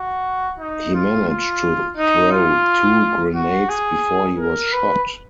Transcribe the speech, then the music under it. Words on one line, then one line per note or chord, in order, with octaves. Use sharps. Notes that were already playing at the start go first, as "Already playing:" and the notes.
He managed to throw two grenades before he was shot.
Already playing: F#4
D#4
F4
F4
D#4
F4
F#4
G#4
A#4
B4